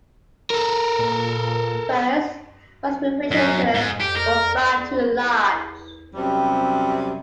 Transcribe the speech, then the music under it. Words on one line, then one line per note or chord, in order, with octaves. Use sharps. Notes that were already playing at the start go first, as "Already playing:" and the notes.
First, most refrigerators were far too large.
A4 A#4
A#2
F#2
G#2
G4
A#4
F#2 C3 G3 C4